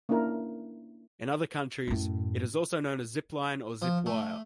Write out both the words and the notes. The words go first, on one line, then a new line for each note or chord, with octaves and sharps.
In other countries, it is also known as a zip-line or zip-wire.
A#3 C#4 D4 E4 A#4
F#2 A2
F3
A3